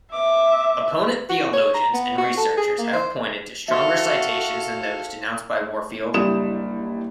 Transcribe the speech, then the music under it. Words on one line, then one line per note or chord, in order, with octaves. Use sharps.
Opponent theologians and researchers have pointed to stronger citations than those denounced by Warfield.
E5 D6
F#4
C#5
A#5
B3
F#4
A4
G#4
A#3
C5
F#4 A4 E5 F5 C6
F#1 G3 D4 E4 D#6 E7